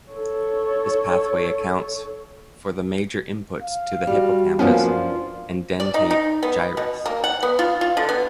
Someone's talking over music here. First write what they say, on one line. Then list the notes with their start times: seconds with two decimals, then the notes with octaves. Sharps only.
This pathway accounts for the major inputs to the hippocampus and dentate gyrus.
0.12 A4 C#5
3.62 F5
4.07 G3 F#4
4.59 F#2 F3 A#3 B3 C#4 D4 F4
5.80 D5
5.94 D#4
6.10 D#4
6.43 B3
6.77 B2
7.06 A#3
7.24 F#5
7.43 B3
7.59 F4
7.81 F4
7.97 D3
8.09 B3